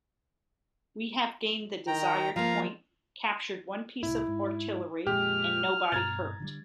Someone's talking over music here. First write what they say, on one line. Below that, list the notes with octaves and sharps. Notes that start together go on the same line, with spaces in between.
We have gained the desired point, captured one piece of artillery and nobody hurt.
D#3 G5 A#5
F3 A#3 F5 A#5
C2 A2 E4
G#2
F2 A#2 G#3 G4 F6
G2 B2 A#5 G#6 A6
D3 E3 G3